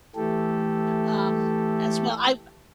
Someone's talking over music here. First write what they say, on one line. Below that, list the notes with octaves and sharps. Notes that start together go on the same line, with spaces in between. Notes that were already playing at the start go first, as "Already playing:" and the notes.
um, as well, I've
E3 A3 G4 A4